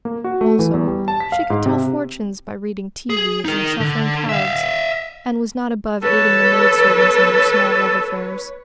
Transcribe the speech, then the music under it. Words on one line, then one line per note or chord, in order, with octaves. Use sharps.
Also, she could tell fortunes by reading tea-leaves and shuffling cards, and was not above aiding the maid servants in their small love affairs.
A#3
F#4
A3
E3
E2
G3
A5
B6
F5
G#2
C3
G#4
D#4 A#4
D3
E5 F5
A4 B4 C#5